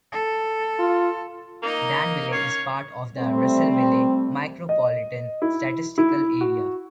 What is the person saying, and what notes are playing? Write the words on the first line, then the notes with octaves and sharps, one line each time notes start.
Danville is part of the Russellville Micropolitan Statistical Area.
A4
F4
A#3 D#4 D#5
C#4 C#5 F5
G3 A3 C4
D#5
E4
E4
F#4